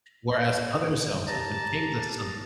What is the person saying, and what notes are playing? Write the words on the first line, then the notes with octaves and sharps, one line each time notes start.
whereas other selves, like when it came to some
G4 A5 A#5